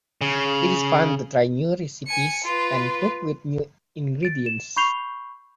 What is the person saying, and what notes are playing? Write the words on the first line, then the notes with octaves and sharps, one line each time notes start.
It is fun to try new recipes and cook with new ingredients.
C#3
G#5 C#7
F4 B4
A6 D7
E7
B5 C#6 G6 C7 F7 G7